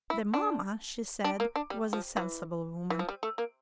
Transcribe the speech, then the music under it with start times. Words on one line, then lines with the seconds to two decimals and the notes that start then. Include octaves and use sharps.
The mamma, she said, was a sensible woman.
0.10 E4
0.34 D4
1.24 D4
1.40 A#3
1.56 D4
1.70 G3
1.93 F3
2.17 E3
2.90 E3
2.99 F3
3.09 G3
3.23 A3
3.38 A#3